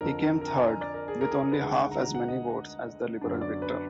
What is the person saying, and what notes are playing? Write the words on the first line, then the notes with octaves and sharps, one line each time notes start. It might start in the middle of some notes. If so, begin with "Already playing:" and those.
He came third with only half as many votes as the Liberal victor.
F2 D3 F3 A#4
A#4
A#4
A#5
G#5
A#5
D5
A#4
G#4
A#4
G#4
A#4
B4
D2 D3 G#3 D#4 F#5
F#5
A#5
A#5
F#5
D#5
F#2 D3 F#3 B3 D4
D5
B4